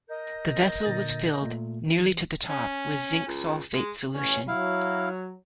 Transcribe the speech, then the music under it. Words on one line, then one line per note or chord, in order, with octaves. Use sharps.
The vessel was filled, nearly to the top, with zinc sulfate solution.
A#4 D#5 G6
A#2 D3 A6
A#2 A3
E3
C#4
C#2
G#3
A1 B2 C#4
F#3 E4 F5